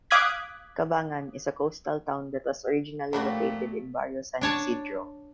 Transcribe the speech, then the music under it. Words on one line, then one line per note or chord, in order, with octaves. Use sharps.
Cabangan is a coastal town that was originally located in Barrio San Isidro.
F5 D6 D#6 F#6 G#6 B6
A#2 F3 G3 A3 C4 D4 F4 F#4
D4 C#5 A5